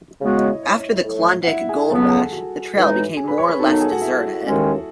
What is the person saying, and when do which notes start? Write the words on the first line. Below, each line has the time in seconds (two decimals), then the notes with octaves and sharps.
After the Klondike Gold Rush, the trail became more or less deserted.
0.20 C#3 G#3 B3 F#4 D#5
0.31 E4 E5
0.37 D#5
0.41 C#5
0.53 D#5
0.63 C#5
0.78 C#5
1.05 A2 F#3 A3
1.43 F#5
1.48 E4 E5
1.69 G#4 G#5
1.90 C#2 C#3 F#3 B3 A4 A5
2.02 F#5
2.11 G#4 G#5
2.33 F#4 F#5
2.75 A2 E3 G#3 D#4
3.17 G#4 G#5
3.28 B4 B5
3.38 C#5 C#6
3.49 B4 B5
3.59 D#3 F#3 B3 D#4 A4 A5
3.70 A4 A5
3.80 G#4 G#5
3.91 F#4 F#5
4.02 E4 E5
4.44 D#2 D#3 G#3 C#4